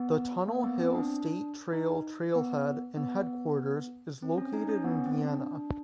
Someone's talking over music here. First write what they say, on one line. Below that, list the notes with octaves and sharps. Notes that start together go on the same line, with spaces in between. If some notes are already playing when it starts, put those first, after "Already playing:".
The Tunnel Hill State Trail trail-head and headquarters is located in Vienna.
Already playing: B3
A#3
B3
C4
D4
D#4
B3
B3
C4
C#4
D#4
C#4
B3
C4
D4